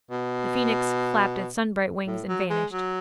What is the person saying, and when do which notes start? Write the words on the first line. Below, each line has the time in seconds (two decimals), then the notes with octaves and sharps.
The Phoenix flapped its sunbright wings and vanished.
0.11 B2
2.07 A2
2.28 F#3
2.50 G#3
2.73 F#3